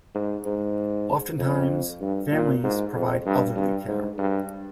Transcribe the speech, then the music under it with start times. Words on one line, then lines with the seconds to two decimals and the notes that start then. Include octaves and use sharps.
Oftentimes, families provide elderly care.
0.15 G#2
0.46 G#2
1.38 F2
2.01 G2
2.32 A#2
2.63 G#2
2.94 F2
3.26 G2
3.56 G2
3.88 G#2
4.18 G2